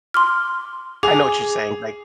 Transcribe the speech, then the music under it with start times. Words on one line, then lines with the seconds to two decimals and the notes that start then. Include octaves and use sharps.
I know what you're saying, like
0.14 C6 D6 F6
1.03 G#4 D6 F7